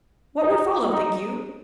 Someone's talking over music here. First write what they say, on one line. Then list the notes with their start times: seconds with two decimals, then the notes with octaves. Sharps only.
What would follow, think you?
0.40 D#4
0.90 D#4